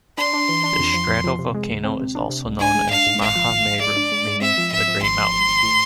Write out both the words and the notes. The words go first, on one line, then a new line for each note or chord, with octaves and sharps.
This stratovolcano is also known as Mahameru, meaning 'The Great Mountain.
D4 C6
D4
E3
D4
F2
F3
F2
F3
C3
G#3
D2
C4
C3
D4
C3
C2
D4 G#5
G#3
D4 F5
G#2
G#1 F5
F3
G#1
G#2
G#3 D5
D4
G#3
G#3
C4 E5
F3
G#2 E5
F3
G#1 C6
F3
G#1
G#1
A2